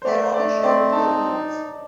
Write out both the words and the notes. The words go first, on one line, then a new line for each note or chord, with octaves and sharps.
They are always shown with cloven hooves.
C5
A3 D5
C5
A3 D5
D#5
C4 D5
D#4 A5